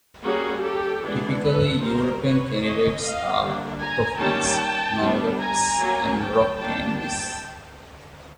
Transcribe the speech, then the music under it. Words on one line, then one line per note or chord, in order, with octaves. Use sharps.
Typically, European candies are toffies, nougats and rock candies.
G3 A#3 C#4 F#4 G#4
G4 A4
E3 G#3 B3 D4
A4 B4
G3 C4 A#4 C5
B4 C#5
E3 A3 C4 C#5 D#5
D#5 F5
D3 G3 A#3 D4
G#5 A#5
D#3 G3 A#3 C#4 G5 A5
G3 B3 D4
G#5 A#5
F#3 A#3 C#4
G5 A5
G3 A#3 D4 G5 A5
G5 A5